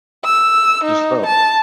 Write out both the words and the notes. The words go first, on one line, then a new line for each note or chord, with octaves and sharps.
Just stop,
E6
D#4
A5